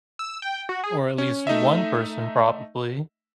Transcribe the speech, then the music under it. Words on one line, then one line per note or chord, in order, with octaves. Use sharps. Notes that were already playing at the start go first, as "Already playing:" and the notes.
or at least one person probably,
E6
G5
F#4
G#4
C#4
A3 D#4 D#5 E5